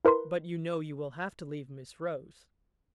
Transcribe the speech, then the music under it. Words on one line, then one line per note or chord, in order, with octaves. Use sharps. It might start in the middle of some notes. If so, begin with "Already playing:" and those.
"But you know you will have to leave Miss Rose."
E4 A#4 B4 C6